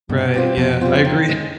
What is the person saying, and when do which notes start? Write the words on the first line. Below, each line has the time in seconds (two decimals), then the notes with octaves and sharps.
Right. Yeah, I agree.
0.09 G2 B2
0.34 G3 C4 F4
0.57 F2 B2
0.81 G3 C4 F4
1.05 D#3
1.28 G#3 C#4